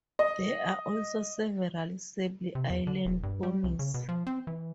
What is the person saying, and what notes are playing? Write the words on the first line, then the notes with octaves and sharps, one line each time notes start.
There are also several Sable Island Ponies.
D#5
C3
E2
D3
E1
G2
G3
C2
C#3
B2
F3
C4
E3